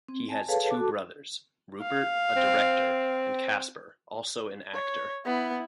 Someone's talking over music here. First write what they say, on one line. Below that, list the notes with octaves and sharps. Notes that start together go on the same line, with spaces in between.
He has two brothers: Rupert, a director, and Casper, also an actor.
C4
G#5 A5
G#4 A4 B4 C#5 F5 A5
F#4 A4 A5 D6
F5
C4
C#5
B3 E4